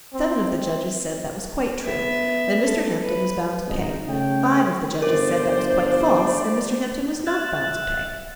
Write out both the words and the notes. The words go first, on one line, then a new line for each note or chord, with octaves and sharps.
Seven of the judges said that was quite true, and Mr. Hampden was bound to pay: five of the judges said that was quite false, and Mr. Hampden was not bound to pay.
C4
B3 E5
A4
B4
G#1 C#2 D#4
C#3 A3 C#5 G5
G1 A#4 C5 D5
E5 F#6 A6